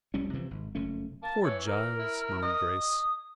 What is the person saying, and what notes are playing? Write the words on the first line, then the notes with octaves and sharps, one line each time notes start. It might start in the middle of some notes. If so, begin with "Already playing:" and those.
"Poor Giles!" murmured Grace.
F1 C2 G3 C#4
C3 E3 F3
G#1
F#1 F2 A3 C#4
A#3 A5
E3 C#5
A#4
E4
D#5
D#6